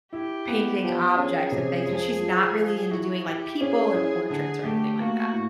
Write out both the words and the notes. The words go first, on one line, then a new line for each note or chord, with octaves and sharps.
painting objects and things, but she's not really into doing, like, people, or portraits, or anything like that.
E4 G4
B3
F3 G4
C#4 G#4
C3
F2
F3
F3
E4 F#4
E4 G4
C#4 G#4
E4
D3 G#4
A3 G4
A#3 F#4
A2